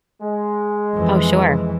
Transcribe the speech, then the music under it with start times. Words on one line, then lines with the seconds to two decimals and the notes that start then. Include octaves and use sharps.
Oh, sure.
0.21 G#3
0.94 F2 E3